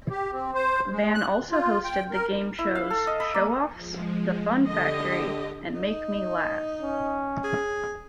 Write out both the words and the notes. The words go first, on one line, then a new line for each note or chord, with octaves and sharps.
Van also hosted the game shows "Showoffs"," The Fun Factory", and "Make Me Laugh".
G4
C4
C5
G#3
F#6
D2
F4
G5
A#4
E4
F5
A4
D#5
B5
A#3
F3 G#3
D3 G4 D#5
D#4
C#4
G#4